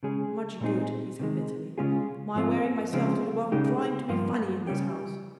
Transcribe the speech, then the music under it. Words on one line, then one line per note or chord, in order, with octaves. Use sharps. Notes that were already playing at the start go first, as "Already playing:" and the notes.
"Much good," he said bitterly, "my wearing myself to the bone trying to be funny in this house."
C#3 G#3 C#4 G#4
A#2 G#3 C4 D#4 G#4
C3 D#3 G#3
C#3 G#3 C#4 F4 G#4
G#2 F3 C4 F4
C#3 F3 G#3 C4 F4
C#3 G#3 D#4 G4
G2 F3 A#3 F4
C#3 G3 C#4 G4